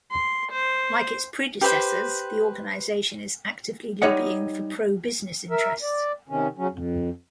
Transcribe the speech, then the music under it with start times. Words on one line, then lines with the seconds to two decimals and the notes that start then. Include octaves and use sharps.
Like its predecessors, the organisation is actively lobbying for pro-business interests.
0.11 C6
0.52 C5
1.61 G4 B4 C5 G5
4.02 G3 D#4 C#5 D#5 F#5
5.51 A#4 E5
5.82 D5
6.29 C3 D#3 C#4
6.58 C#3 F#3 C#4
6.71 F2